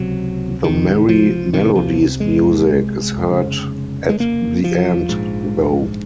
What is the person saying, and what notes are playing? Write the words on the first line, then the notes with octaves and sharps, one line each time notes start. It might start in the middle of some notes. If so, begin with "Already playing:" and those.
The Merrie Melodies music is heard at the end though.
Already playing: C#2 C3 F#3
D#3
F3
C2 C3 D#3
F3
G#3
F1 D#2 C#3
G#3
A#3
F3
A#1 G#2